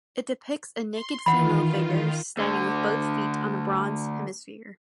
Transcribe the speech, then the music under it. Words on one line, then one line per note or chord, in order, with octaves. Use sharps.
It depicts a naked female figure standing with both feet on a bronze hemisphere.
C6
D#3 E3 F4 F#5 B5
D2 D3